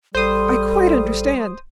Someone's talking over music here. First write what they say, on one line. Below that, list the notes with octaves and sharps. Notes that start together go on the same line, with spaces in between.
I quite understand.
A1 G3 A4 C5 D#6